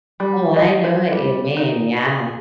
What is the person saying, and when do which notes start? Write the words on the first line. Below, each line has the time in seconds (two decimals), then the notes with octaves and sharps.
Oh, I know what you mean, yeah.
0.20 G3
0.56 D#5
0.84 C5
1.12 G3
1.57 D#4
2.06 G#4